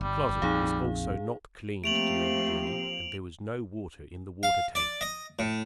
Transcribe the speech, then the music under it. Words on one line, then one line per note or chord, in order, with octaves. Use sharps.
The closet was also not cleaned during the journey and there was no water in the water tank.
G1 G3
G1
A#1 F2 D#4 G#4 F5
F3 A3 A#3 C4 G4 D7 F7 F#7
F5
D5
D#5
A2